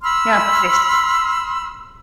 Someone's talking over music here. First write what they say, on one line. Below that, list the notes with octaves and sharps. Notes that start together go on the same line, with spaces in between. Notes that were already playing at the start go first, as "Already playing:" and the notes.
yeah, but this.
B5 C6 E6 F6